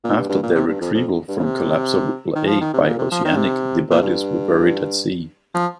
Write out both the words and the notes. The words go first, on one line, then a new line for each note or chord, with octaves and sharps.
After their retrieval from Collapsible A by "Oceanic", the bodies were buried at sea.
A#2
G2
G2
A#2
C3
G2
F2
F2
G2
A#2
C3
D#3
F3
D#3
C3
G2
A#2
C3
F3
D#3
C3
A#2
G2
F3